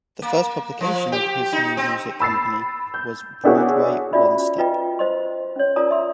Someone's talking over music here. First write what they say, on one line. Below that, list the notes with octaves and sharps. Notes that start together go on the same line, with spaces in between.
The first publication of his new music company was "Broadway One-Step".
A#3
F3
G4
D#4
C4
B5 E6 A6 C7
G6
B3 D4 E4 F#4 G#4 C#5
C#4 F4 F#4 D5 E5 B5
F4 A4 B4 D#5 G5
C5 D#5 C6
C#4 C#5
F4 A#4 D5 A5 A#5 D#6
E5 C6